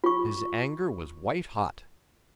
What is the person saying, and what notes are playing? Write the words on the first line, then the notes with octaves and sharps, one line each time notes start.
His anger was white hot.
F4 C#6